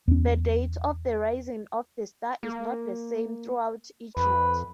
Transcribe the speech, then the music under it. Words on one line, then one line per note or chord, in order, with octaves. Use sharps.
The date of the rising of the star is not the same throughout Egypt.
E2 C#4
A#3
F2 B4